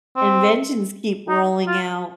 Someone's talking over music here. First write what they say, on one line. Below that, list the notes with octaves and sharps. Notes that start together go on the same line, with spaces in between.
inventions keep rolling out.
C4
D#4
F4